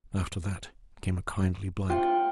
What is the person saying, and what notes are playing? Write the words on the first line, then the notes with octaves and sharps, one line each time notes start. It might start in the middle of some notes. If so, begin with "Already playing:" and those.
After that came a kindly blank.
F4 F#5 G5